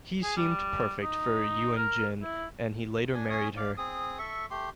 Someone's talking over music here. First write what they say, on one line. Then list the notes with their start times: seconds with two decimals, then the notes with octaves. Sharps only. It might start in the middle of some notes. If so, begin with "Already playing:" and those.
He seemed perfect for Eun-jin and he later married her.
0.23 G#4
0.37 G3
1.02 D#4
1.76 A#4
2.22 E4
3.15 D4 G#5
3.30 C#4 G#5 D#6
3.57 D5 F5
3.77 C4 G#4 D#6
4.19 A4 E5 C#6
4.50 A3 G4 C6